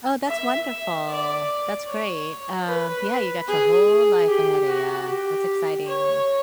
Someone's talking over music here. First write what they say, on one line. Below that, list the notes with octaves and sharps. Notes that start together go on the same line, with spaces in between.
Oh, that's wonderful. That's great. Um, yeah, you got your whole life ahead of ya, that's exciting.
E5
E5
D5
C#5
B4
G#4
G4
F#4
G4
C#5